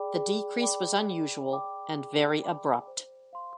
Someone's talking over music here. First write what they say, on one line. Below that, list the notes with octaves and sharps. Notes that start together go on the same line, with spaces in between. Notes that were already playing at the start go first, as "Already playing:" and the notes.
The decrease was unusual and very abrupt.
Already playing: G#4 D5 G5 B5 D6
G#4
D5 G5 B5 D6
G#4
D5 G5 B5 D6
G#4
D5 G5 B5 D6
C5
F5 C6